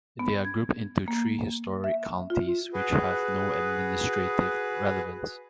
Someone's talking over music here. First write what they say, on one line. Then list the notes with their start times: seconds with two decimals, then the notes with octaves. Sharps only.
They are grouped into three historic counties, which have no administrative relevance.
0.19 B3
0.45 G#6
1.08 A#3
1.84 E5
2.30 F4
2.73 F#4 G#4 B4